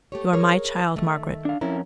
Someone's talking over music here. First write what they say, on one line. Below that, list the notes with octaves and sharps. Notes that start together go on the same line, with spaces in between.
You are my child, Margaret.
A3 G4 C#5
G#4 A#4 C#5
D#3 A3
D4 F5
F2 C#4 E4 A#4